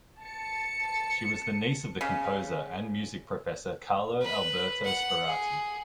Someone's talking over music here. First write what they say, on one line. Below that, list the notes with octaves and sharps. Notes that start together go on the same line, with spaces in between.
She was the niece of the composer and music professor Carlo Alberto Sperati.
A5 C#7
C#3
B4
F#5
G#4